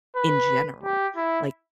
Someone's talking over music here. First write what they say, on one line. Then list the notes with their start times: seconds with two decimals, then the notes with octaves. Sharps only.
in general. Like,
0.16 B4
0.83 G4
1.16 E4